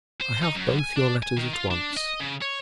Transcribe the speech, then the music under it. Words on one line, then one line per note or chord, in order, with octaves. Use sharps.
I have both your letters at once.
C5
D#4
F#2
G#5
D4
G#5
D#3
F4
D4
D#5
C#3
C#5